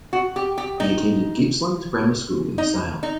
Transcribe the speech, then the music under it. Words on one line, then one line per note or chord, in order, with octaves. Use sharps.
He attended Gippsland Grammar School in Sale.
F#4
G4
G4
D#4
D#4
D#4